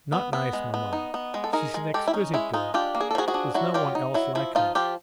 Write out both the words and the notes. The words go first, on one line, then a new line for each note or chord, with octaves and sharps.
"Not nice, maman; she's an exquisite girl; there's no one else like her."
B3
B3
G#3
B3
D#4
B3
G#3
A4
D#4 G#4 A#4
G#3
G#3 G4 A4
E4
C#4 D#4
G#3 E4
G#3 D#4 F4
D4 F4 G4
A#3
G#4
A4
F3 F#4 G#4
F#4 G#4
D4
F#3 E4 F#4
F#3 F4 G4
D#4
F#3 E4
F3 E4
F3 D#4 F4
F3 F4 G4